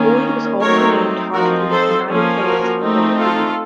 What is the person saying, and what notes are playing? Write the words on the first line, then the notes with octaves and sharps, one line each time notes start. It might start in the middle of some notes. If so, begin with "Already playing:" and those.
Boyd was also named Hartlepool United's Players' Player of the Year.
Already playing: D#3 A#3 C#4
F#3 A3 C4 D#4 A#4 C#5
F3 C4 D#4 F#4 A#4
A4 C5
F3 A#3 C#4
F#4 A#4
A3 C4 D#4
F4 A4